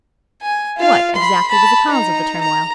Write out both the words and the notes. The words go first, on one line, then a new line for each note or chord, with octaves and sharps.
What, exactly was the cause of the turmoil?'
G#5
F4 F5
B5 C6
A5 B5
D#4 A#5
A#5